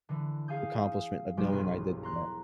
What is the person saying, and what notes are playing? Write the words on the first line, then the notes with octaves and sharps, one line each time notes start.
accomplishment of knowing I did that.
D3 E3
G#4 F5 G#5 D#6 G6
F1 B1 F#3 G4 A#4 G#5
E1 B1 G2 G#4 B4
A#5 C6 F#6